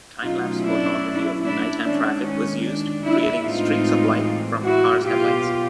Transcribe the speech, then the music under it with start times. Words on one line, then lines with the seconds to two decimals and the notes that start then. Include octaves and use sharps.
Time-lapse photography of night-time traffic was used, creating streaks of light from cars' headlights.
0.21 B2 F#3 A3 C#4 D#4 F4
0.62 D4 E4
1.42 D4 E4
1.82 D#3 G#3 C#4 D4
2.23 C#4
2.63 D4
3.03 D4 E4
3.43 A2 E3 G#3 C4 D#4 F4
4.64 E4 F#4
5.04 B2 F#3 B3 F4 G4